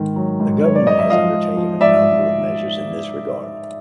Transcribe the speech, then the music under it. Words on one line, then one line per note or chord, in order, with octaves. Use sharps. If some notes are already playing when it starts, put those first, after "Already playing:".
The Government has undertaken a number of measures in this regard.
Already playing: G#2 D#3
F#3
G#2
F#3 C#5
D5
G#2 D#5
E5
F3 D#5 F5
G#2
F3
G#2 D5 E5